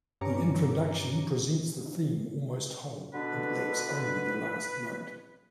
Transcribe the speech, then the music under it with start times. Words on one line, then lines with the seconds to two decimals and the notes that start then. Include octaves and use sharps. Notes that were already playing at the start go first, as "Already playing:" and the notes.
The introduction presents the theme almost whole: it lacks only the last note.
0.21 G2 C#4 A#5 D6 C#7
3.14 B2 D3 D4 B4